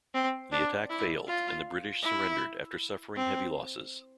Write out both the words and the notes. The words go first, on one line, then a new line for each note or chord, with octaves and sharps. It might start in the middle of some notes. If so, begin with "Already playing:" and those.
The attack failed and the British surrendered after suffering heavy losses.
C4
D4
E4
F4
E4
C4